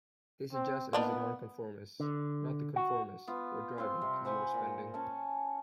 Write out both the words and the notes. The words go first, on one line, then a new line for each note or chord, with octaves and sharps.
They suggest it is the nonconformists, not the conformists, who are driving consumer spending.
C4
A#3 B3 D4 D#4
D3
F#4
B3 F4
C4 F4 C6
C3 G3
C5 F#5 G#5 B5
A#2
C#4 G#5 A5